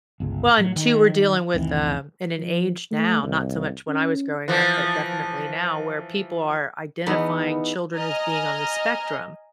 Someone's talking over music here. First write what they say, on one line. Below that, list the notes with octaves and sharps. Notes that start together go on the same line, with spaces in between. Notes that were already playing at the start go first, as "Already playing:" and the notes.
Well, and two, we're dealing with uh in an age now, not so much when I was growing up, but definitely now where people are identifying children as being on the spectrum.
G1 C#2
A2 F#3
D#3
F1 C2 D#3 E3
F3
A3
C2
C#4
E3 F3
E2 B3 D#4 B5
D#5 G#5 A#5 F6